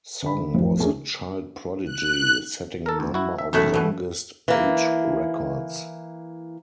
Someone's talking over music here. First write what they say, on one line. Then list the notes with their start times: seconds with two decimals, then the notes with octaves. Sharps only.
Song was a child prodigy, setting a number of "youngest" age records.
0.22 D3 B5
0.54 A1 F2
0.79 A3 A#3 C#4 D4 G#4
1.85 F#6
2.86 A4 A#4
3.00 D2
3.14 E4 F#4
3.39 E5
3.53 B1 F#2 E3 A3 E4
3.74 B2 E3
4.48 E3 A#3